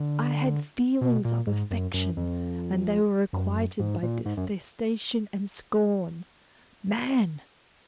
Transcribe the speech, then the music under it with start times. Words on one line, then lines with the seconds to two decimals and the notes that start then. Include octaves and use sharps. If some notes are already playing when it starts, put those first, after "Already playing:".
I had feelings of affection, and they were requited by detestation and scorn. Man!
Already playing: D3
1.01 B2
1.25 A#2
1.47 G#2
1.71 F#2
1.94 F#2
2.17 F2
3.33 F#2
3.79 G#2
4.03 A#2
4.25 G#2
4.37 F#2